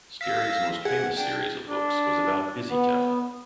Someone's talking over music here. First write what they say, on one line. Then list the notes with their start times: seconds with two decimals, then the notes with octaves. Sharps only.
Scarry's most famous series of books was about Busytown.
0.21 F5 E6 A#6 B6
0.85 G#4 F#5
1.17 D4 G5
1.69 D4
2.70 B3